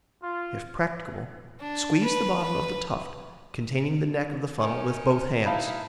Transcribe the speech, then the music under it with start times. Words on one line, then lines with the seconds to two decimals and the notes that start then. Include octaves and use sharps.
If practicable, squeeze the bottom of the tuft, containing the neck of the funnel, with both hands.
0.22 F4
1.60 D4
2.03 B4
2.43 B4
4.60 C#4 D#4 A#4
5.46 D#4 E4 F5 A5 B5